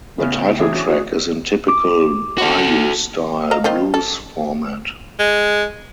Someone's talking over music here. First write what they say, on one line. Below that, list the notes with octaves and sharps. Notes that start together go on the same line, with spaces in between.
The title track is in typical Bayou-style blues format.
A2 C#3 B3 C#4 F6
G5
E3 C#4 D4 G#4
F#4 G#4 C#5
F#4 D#5
D6
F#4 A4
D#5 F5 A#5
D#3 F4 C5
A4
G#3